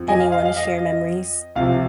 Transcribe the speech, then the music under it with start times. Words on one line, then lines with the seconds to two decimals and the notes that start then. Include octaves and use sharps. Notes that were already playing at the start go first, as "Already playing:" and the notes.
anyone to share memories.
Already playing: F2 F3
0.08 D#5 G#5
0.20 F5
0.32 F5
0.45 F5
0.56 D#5
1.55 C2 C3 F3 F5